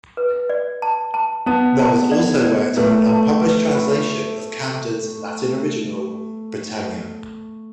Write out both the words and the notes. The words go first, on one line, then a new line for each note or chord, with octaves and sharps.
Knolles also worked on an unpublished translation of Camden's Latin original, Britannia.
B4
D5
A5
A5
B3 A5
A5
D5
D5
A3 B4
A5
B4
F4